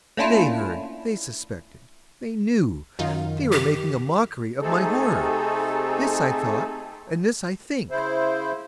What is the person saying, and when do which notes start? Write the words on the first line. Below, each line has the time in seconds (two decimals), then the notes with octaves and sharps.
They heard!--they suspected!--they knew!--they were making a mockery of my horror!-this I thought, and this I think.
0.17 A3 A#3 C#4 D4 E4 F4
2.99 F#2 D#3 D#4 F4
3.52 G4
4.62 C3 A3 C4 D#4 G#4 A4
7.90 C#3 E4 C5